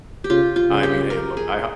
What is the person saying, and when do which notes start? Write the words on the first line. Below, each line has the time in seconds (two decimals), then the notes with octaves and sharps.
I mean, hey look, I ho
0.24 G4
0.29 C#3 F4
0.56 F4
0.70 C#3
0.83 G4
1.10 A#4
1.37 G#4